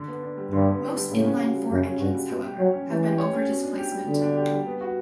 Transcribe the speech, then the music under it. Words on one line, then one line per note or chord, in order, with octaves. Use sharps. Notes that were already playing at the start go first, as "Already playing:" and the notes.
Most inline-four engines, however, have been over displacement.
Already playing: D3 D4
B3
D4
G3
G2 D3
B3
D4
G3
A2 C#3
C#4
F#4
G3
F#2 C#3
C#4
G2 F#4
G3
B2 G3
G4
F#3 C#5
C#4
E3 G3
G4
C#5
C#4
B2
D4
G4
G3
B2 D3
D4
G4
G3
B3
F#4